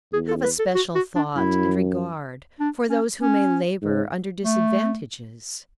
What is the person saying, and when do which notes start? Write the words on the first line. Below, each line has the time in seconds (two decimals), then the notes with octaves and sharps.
Have a special thought and regard for those who may labor under disadvantages?
0.13 E2 G#4
0.28 A4
0.43 B4
0.59 A4
0.75 F#4
0.95 F#4
1.15 D4
1.35 F#2 E4
2.60 D4
2.89 C#4
3.21 C#4
3.82 G#2
4.44 A3